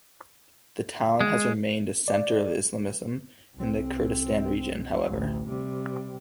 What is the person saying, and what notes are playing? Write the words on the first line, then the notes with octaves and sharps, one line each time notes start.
The town has remained a center of Islamism in the Kurdistan region, however.
G#3
D5
C2 C4
A1 D2
C3 G3